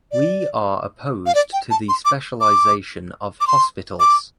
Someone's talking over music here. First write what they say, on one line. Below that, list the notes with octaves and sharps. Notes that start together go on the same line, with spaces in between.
We are opposed to the specialization of hospitals.
D5
F5
D5
G5
A5
C6
D6
D6
D6
C6
D6